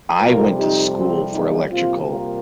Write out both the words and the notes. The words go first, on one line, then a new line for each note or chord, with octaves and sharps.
I went to school for electrical
F2 C3 G3 F4 A#4
D#4 G4
C4
A#3 D#4
C3 G3 A#3 C4 F4
F4 A#4